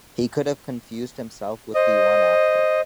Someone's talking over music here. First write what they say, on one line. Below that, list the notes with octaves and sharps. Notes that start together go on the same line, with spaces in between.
He could have confused himself with the one after.
C5 D#5